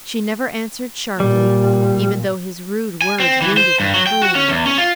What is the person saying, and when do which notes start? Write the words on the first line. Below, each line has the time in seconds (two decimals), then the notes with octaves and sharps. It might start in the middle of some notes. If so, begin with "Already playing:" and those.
She never answered sharply, even though his rude words wounded her cruelly.
1.20 A#2 G3
3.02 G#5
3.20 C4
3.42 E3
3.57 C5
3.80 G2
3.94 F#3
4.07 G5
4.22 F#4
4.35 C#4
4.48 E2
4.66 C#4
4.78 F4